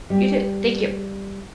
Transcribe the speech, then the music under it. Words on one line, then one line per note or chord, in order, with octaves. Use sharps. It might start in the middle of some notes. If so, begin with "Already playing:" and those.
You too. Thank you
G3